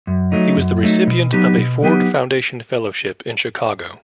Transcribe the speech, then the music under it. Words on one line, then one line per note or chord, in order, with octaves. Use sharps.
He was the recipient of a Ford Foundation fellowship in Chicago.
F#2
F#3 A3 D#4
F#2
F#3 A3 D#4
B2
F#3 B3 D#4 G4
B2
F#3 B3 D#4 G4